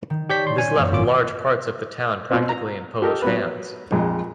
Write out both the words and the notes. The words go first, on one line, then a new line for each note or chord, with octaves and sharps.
This left large parts of the town practically in Polish hands.
D#3
G4 C#5 D5 A5 G6 B6
C6
D#1 C#4 G#5
F#2 E3 A#3
G#1 F4 D6
B2 C4
A#5
G4 A4 A#4 D#5
F#3 B3 B4
A#1 F2 G#3